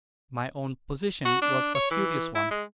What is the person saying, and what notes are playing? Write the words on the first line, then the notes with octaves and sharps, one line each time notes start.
My own position was a curious one.
F#4
D4
C#5
E3
E4
G#3